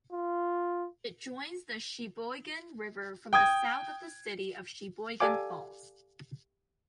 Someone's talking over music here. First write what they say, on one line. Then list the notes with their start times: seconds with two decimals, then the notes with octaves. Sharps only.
It joins the Sheboygan River from the south in the city of Sheboygan Falls.
0.11 F4
3.33 G5 D#6 G#6
5.20 G4 A4 D5 F5 G#5 D6